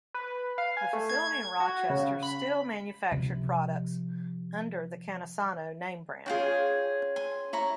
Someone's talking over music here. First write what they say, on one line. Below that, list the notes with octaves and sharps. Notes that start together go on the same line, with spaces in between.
The facility in Rochester still manufactured products under the Cantisano name brand.
B4
F5
G#5
A3
G#6
F#4
C#3
B5
C3 F3
C#4 F4 F#4 G#4 G5
G#5 C6
E4 C#5 A#5